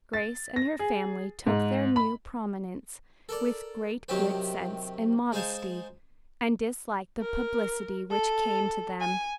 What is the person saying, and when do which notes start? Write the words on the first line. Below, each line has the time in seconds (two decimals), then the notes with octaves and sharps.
Grace and her family took their new prominence with great good sense and modesty, and disliked the publicity which came to them.
0.13 A6
0.56 A#6
0.79 G#4
1.47 G#2
1.96 B5
3.29 A4 A#4 D5
4.09 C3 D#3 F#3 G4 C5
5.32 G#3 D#4 C5 F5 G#5 A5
7.21 A#4
8.10 A4
9.00 G#5